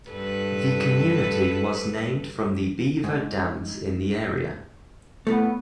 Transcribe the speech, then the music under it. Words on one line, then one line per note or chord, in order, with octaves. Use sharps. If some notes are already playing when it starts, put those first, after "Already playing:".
The community was named from the beaver dams in the area.
G2 A4 B4
G#2
A2 A3 B3